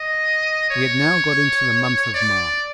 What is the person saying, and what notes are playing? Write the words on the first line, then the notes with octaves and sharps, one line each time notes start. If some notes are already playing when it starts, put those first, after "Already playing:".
We had now got into the month of March.
Already playing: D#5
C#5
D5